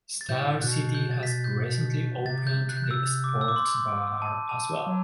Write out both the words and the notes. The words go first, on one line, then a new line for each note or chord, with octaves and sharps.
Star City has recently opened the sports bar as well.
A6
A2 G6
B2 F#6
G6
A6
B6
A6
G6
C3 A6
G6
F#6
G6
F#6
E6
D6
E6
D6
C6
A5
A5
F#3